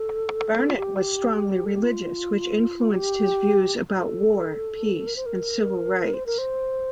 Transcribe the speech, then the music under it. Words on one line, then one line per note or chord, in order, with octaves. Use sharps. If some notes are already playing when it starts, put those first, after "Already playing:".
Barnet was strongly religious, which influenced his views about war, peace and civil rights.
Already playing: A4
F4
G4
A4
G4
F4
G4
A4
A#4
C5
A#4
C5
A#4
C5